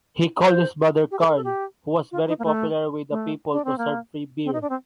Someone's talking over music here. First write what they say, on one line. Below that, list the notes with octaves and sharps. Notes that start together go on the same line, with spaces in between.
He called his brother, Carl, who was very popular with the people, to serve free beer.
C5
G4
A4
A#4
A4
G4
F4
D#4
A#3
A3
A3
D4
C4
A#3
C4
D#4
D4
C4